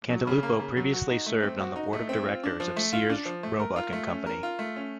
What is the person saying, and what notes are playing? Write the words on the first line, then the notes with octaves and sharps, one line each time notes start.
Cantalupo previously served on the board of directors of Sears, Roebuck and Company.
F#3
C#3
A#3
C#3
F#3
F#4
D#4
A3
C4
F#4
D#4
A3
C4
F4
D4
F3
A3
F4
D4
F3
A3
A#4
F4
A3
C#4
A#4
F4
A3
C#4